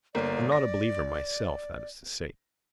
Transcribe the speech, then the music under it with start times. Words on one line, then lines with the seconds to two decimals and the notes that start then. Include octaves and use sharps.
I'm not a believer myself, that is to say.
0.15 G1 A#3 D5
0.52 A#6